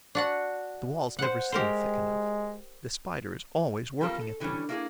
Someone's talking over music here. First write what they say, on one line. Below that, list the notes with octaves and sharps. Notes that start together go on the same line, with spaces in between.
The walls never seem thick enough; the Spider is always working at them.
D4 F#4 F#5
C5 F#5
G#3 G4 A#4 C5
G3 C4 F4 A4 A#4
A4
D3 E3 G3 C#4
A#3 D4 E4 F4 G#4